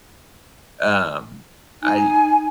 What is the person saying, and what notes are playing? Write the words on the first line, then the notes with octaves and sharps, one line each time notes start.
Um, I
D#4 G#5